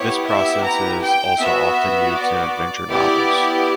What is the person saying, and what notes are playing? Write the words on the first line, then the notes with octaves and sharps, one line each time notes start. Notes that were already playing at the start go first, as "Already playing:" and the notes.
This process is also often used in adventure novels.
Already playing: B3 E4 G4 C#5
E5
A#5
G5
B3 F#4 E5
D5
B3 E4 G4 D5